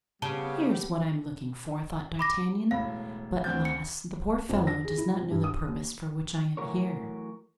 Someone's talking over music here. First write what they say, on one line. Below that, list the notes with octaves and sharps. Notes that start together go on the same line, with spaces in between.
"Here is what I am looking for," thought D'Artagnan; "but alas! the poor fellow does not know the purpose for which I am here."
C#3 G3 B3 C4 G4 A5 G7
B5 D6 A#6
E1 A2 F5 B5
D2 C4 G6 A6
C#7
F2
A#6
G#4
E4
F3
G2
D#6
D#2
E3 F#3 A3 F#4 A#4 C#5